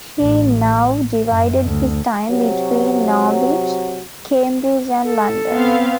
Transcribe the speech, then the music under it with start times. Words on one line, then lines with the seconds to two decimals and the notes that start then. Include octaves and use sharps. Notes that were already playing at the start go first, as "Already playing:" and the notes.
He now divided his time between Norwich, Cambridge and London.
0.19 A1
1.29 F#2
1.65 D2
2.29 C3 F#3
5.04 A4
5.51 B3 C4 F5